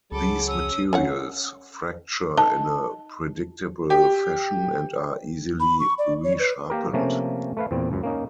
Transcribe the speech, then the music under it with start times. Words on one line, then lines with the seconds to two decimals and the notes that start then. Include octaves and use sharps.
These materials fracture in a predictable fashion, and are easily resharpened.
0.12 C#2 F#3 G#4 A4 B5 D6
0.48 C#4 D#6 E6
0.93 C#4 C#5 F#5
2.38 D#4 A5
3.90 G4
5.60 B5
5.80 C#6
5.98 D5
6.24 C#5
6.39 B4
6.70 A#3 G4 A#4
6.93 C3 F3 A3 A#3 C#4
7.57 A3 B4 F5
7.71 E2 A#2 C4
7.90 C#2 F#2
8.03 A#3 C#4 D#4